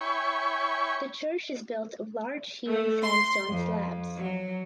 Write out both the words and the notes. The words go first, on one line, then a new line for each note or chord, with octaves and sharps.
The church is built of large hewn sandstone slabs.
E4 C#5 G5 G#5 B5 C#6
A3
C6
F2
F#3